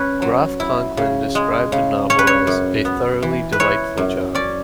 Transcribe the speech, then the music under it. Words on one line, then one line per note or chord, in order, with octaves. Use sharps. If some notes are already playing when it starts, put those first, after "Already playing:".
Groff Conklin described the novel as "a thoroughly delightful job".
Already playing: C#4 B4
F#3
E4
C#3
G#3
C#3
C#4 C#5
B4
C#5
F#2
B3
E3
B4
E4 C#5
F#2
C#4 D5